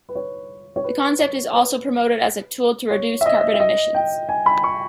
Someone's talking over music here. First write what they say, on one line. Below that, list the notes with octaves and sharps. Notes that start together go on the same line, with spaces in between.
The concept is also promoted as a tool to reduce carbon emissions.
B4
C#5
C#5
B4
C#5
B4
C#5
E5
D#5
E5
D#5
G5
G#5
B5
C#6